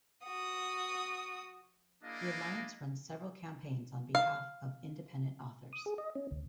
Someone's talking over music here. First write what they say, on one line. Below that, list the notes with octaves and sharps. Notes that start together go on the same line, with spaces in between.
The Alliance runs several campaigns on behalf of independent authors.
F#4 D#6
A#3 D4 E4 G#4 D#5 F5
F5
D#6
G#4
D#5
C#4
D2